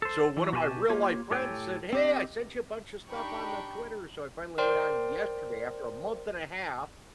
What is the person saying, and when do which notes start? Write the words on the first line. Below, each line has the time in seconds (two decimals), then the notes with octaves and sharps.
so, one of my real-life friends said, "Hey, I sent you a bunch of stuff on the Twitter," so, I finally went on yesterday after a month and a half
0.02 A4 C5
0.37 E3
0.52 B2 F#4 G4 F5 G#5 A5
0.90 A#3 F4 G4 C#5
1.31 A2 G4 A4 C#5 G5 G#5
1.93 C4 G4 D#5
3.09 D4 D#4 G4 G5 B5 C#6
4.58 A#4 C5 D5 G5 C6